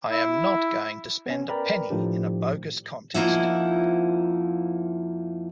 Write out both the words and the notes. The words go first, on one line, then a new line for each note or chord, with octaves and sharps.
I am not going to spend a penny in a bogus contest.
E4
B3 C#4
A#4 B4 D5 G5 A#5 B5
A2 D#3 F3 A3 D4 G4
F2 F3 A#3 D#4 E4 F#5